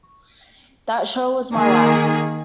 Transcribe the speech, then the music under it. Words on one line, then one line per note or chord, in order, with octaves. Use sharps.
That show was my life.
D#3 A#3 G#4